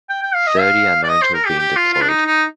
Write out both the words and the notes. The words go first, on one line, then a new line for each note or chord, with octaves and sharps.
Thirty are known to have been deployed.
G5
G5
F5
D#5
F5
D5
D#5
C5
A#4
G4
G4
F4
F4
D4
D#4
D#4